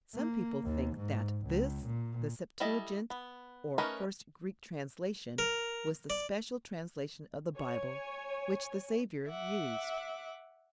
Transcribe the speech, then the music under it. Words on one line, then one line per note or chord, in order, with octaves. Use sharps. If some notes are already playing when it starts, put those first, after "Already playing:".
Some people think that this, the Septuagint, or first Greek translation, was the special translation of the Bible which the Saviour used.
A#3
D#2
G#2
C#2
A#2
G3 E4 A4 D#5
B3
A3 C#4 D#4 A#4 B4
A#4
D5
C#5 G#5
E5 F#5 D6